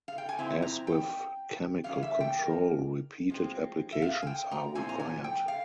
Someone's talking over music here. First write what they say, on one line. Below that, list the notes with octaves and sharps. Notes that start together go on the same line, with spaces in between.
As with chemical control, repeated applications are required.
F5
G5
G#5
C3 F3 C4 E4 A#5
A#5
G5
E3 G3 C#4 F5
E5
G5
A#4
F3 G#3 C4
E5
F5
G#5
G5
A#5
A#2 F3 C4 E4 G#5
A#5
G#5
G5
F5